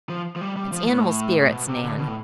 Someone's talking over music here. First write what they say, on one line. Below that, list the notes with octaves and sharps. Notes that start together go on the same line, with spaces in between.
It's animal spirits, Nan.
F3
F3
G3
G3
F3
A2
A2
B2
C3
D3
B2
A2